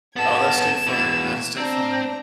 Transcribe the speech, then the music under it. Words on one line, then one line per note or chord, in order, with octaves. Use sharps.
Oh, that's too funny, that is too funny.
B3 A4 G#6 E7
B2 E3
C4 D4 A#5